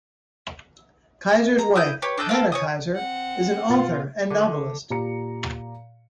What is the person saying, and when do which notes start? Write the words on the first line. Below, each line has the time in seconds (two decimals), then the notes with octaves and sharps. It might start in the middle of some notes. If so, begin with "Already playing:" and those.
Kaiser's wife, Panna Kaiser, is an author and novelist.
1.59 A#5
1.76 E4 D#6 G6
2.02 G4 B4 C#5
2.18 D4 A4 D#5 G6
2.29 A4 A#4 F5
2.52 C#5 G#5 D#6
2.96 C4 F#5
3.69 B2 F4 A6
4.30 D3
4.90 A#2 G4 A#5 C#7